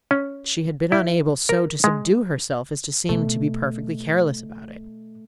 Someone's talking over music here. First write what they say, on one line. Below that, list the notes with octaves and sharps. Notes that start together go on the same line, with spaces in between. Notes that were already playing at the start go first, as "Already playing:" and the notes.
She had been unable so to subdue herself as to seem to be perfectly careless about it.
C#4
E4
A#4
G#3
B2 A3